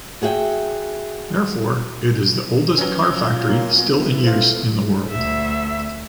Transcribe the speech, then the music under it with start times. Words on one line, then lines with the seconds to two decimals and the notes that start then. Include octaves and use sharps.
Therefore, it is the oldest car factory still in use in the world.
0.22 F#4 G#4 E5 F5 G5
2.78 F#3 C#4 B4
3.14 F4
3.48 A#3
3.80 B3 E4
4.23 A3 F4 C5
5.11 D2 E5